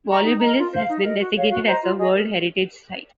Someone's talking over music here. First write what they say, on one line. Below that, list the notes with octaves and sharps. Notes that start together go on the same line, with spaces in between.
Volubilis has been designated as a World Heritage Site.
D#5 A#5 C#6
D#4
A#4 D#5 A#5
F4
C5 F5
D#4
A#4 D#5
F#4
C#5 F5
F#4
C5 D#5 A#5
F4
G#4 D#5
A#4